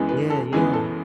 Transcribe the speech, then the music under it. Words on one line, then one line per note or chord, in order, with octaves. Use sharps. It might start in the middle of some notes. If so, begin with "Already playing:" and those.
Yeah, yeah.
Already playing: F#2 E3 G#3 B3
B4
A4
F#2 E3 G#3 B3 G#4
A4